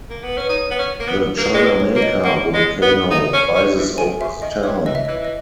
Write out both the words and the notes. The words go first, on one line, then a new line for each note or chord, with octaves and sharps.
The Chinameca Volcano rises over the town.
A#3
B3
C#4 B4
D#4 C#5
B3
C#4
A#3
B3
A#3 B4
G#3
B4
A#3
C#5
A#3 C#5
D#5
A#3 F#5
G#3
B3
D#4
C#4
C#4
E3
D#3 G#5
C#3 E5
D#3 D#5
E3 C#5
E3 D#5
E5
E3 D#5
E3 D#5